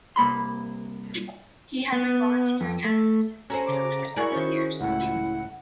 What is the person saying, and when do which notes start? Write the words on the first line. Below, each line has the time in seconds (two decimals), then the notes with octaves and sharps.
He had been volunteering as an assistant coach for several years.
0.16 C2 A#3 B5 C6
1.92 B3
2.61 F2
2.85 A3
3.50 C#4 F#4 A4 C5 G#5 A#5
3.66 C#3 A#5 D6
4.16 E4 F#4 G#4 A#4 D5 C#6
4.32 D#3 C#4 C5
4.81 C#2 A2 E4 F#5